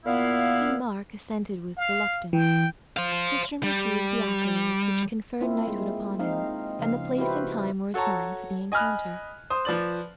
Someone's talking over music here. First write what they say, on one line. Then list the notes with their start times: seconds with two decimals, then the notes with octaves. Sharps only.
King Mark assented with reluctance; Tristram received the accolade, which conferred knighthood upon him, and the place and time were assigned for the encounter.
0.06 A#2 B3 E4 F5
1.77 F5
2.33 E3 G5
2.97 C5 F5
3.63 G3
5.41 A#3 C4 E4 F4
5.68 G#3
6.19 C4 D#4 F5
6.79 C#3 F3 F5
7.18 E4 F#4 G4 B4 C5
7.94 F#4 A4 C#5 A5 A#5
8.72 D#5 G#5 B5 F6 F#6
9.50 C5 D#6
9.65 F3 B4 D5 F#7